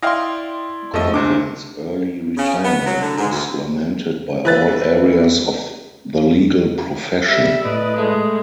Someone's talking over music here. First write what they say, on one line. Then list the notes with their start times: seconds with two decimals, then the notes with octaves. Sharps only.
Gaudron's early retirement was lamented by all areas of the legal profession.
0.02 E4 D5 D#5 F5 G5 C6
0.94 F2 F3 A3 A4 D#5
1.14 D2 G#2 C3 C4 D4 D6
2.37 C#3
2.64 B3
2.86 F#3
3.01 D3
3.17 G#2
3.32 D2
4.45 E3 B4 A6
7.27 G3 E5
7.65 A2 B4 D5 D#5
7.98 G#3 A3